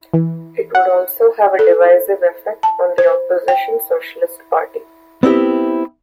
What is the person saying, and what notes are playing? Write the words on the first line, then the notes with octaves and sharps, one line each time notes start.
It would also have a divisive effect on the opposition Socialist Party.
E3
F#5
A4
A5
C5
G5
B3 C4 E4 G4